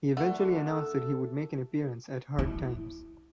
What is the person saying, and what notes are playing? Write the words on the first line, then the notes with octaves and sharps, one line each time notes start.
He eventually announced that he would make an appearance at Hard Times.
D3 A3 F#5
A4
E4